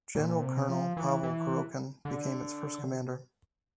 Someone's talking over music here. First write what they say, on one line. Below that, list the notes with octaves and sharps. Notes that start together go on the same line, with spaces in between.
General Colonel Pavel Kurochkin became its first commander.
A#2
C3
F3
E3
E3
D3